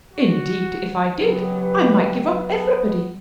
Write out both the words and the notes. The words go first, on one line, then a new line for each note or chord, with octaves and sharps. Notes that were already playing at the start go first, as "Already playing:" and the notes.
Indeed if I did I might give up everybody.
F#4
D#2 C#3 F#3 B3 G4
B4
B3